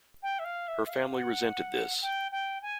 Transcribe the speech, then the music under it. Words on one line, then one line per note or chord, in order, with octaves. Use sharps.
Her family resented this.
G5
E5
F5
E5
E5
F5
F#5
G5
G5
G#5